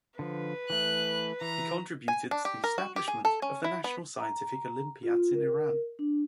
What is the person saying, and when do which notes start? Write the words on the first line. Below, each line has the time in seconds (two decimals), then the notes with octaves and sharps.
He contributed to the establishment of the national Scientific Olympiads in Iran.
0.19 D3 F3 B4
0.70 E3 A3 F#6
1.41 E3 A#5
2.08 G#5
2.31 D4
2.45 G4
2.64 A#4
2.78 F#4
2.96 G4
3.08 G#4
3.25 A4
3.42 C#4
3.64 E4
3.84 B3
4.20 A#5
5.03 F4
5.35 A#4
5.99 D4